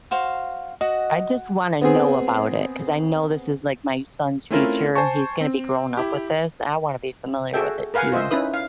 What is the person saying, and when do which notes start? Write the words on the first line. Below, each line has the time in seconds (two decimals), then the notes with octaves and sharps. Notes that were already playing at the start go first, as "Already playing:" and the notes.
I just wanna know about it 'cause I know this is, like, my son's future. He's gonna be growing up with this, and I wanna be familiar with it too.
0.11 F#4 C5 F5
0.81 F#4 D#5 F#5
1.81 B3 C4 G#4
4.50 A3 C4 C#4 E4 F4 A#4
4.96 C5 G#5 A5 C#6
5.41 C4
5.97 E4 G4
7.54 F#4 G#4 A4 E5 G5
7.94 A#4 B4 F5 F#5 G#5
8.12 F4 C5 D#5 E5
8.31 C#4 D#4 E4 B4 D#6
8.54 F5